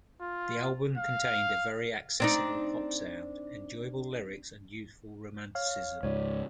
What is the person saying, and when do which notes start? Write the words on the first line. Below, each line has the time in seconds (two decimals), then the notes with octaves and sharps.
The album contained a very accessible pop sound, enjoyable lyrics, and youthful romanticism.
0.22 F4
0.98 F5
2.20 C4 D4 D#4
5.55 C#5 F5 F6
6.03 C#2 G#2 C#5 D5